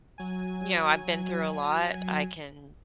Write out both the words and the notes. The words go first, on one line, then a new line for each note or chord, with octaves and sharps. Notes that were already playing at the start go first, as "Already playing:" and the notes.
You know, I've been through a lot. I can
F#3 G#5